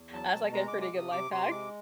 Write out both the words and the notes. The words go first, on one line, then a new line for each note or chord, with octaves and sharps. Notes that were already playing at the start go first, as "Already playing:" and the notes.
That's, like, a pretty good life hack.
Already playing: E2
F#3 A5
A#5
B2 A5
G#3 A#5
C3 D6
D6
C3
D#6
C3 D6
C3 C6
G#3 D6